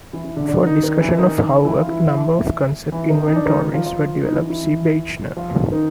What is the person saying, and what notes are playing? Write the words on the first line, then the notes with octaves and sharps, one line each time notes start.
For a discussion of how a number of concept inventories were developed see Beichner.
E3 E4
E3 E4
D3 D4
D3 D4
D#3 D#4
D#3 D#4
E3 E4
D#3 D#4
E3 E4
F3 F4
E3 E4
E3 E4
D#3 D#4
D#4
D4
D#3 D#4
F3 F4
F3 F4
D#4
E3 E4
E3 E4
F3 F4
D#3 D#4